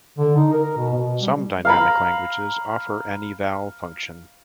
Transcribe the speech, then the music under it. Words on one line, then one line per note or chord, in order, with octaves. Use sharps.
Some dynamic languages offer an "eval" function.
D3
D#4
A#4
A#4
B2
B2
G3
F5 A#5 B5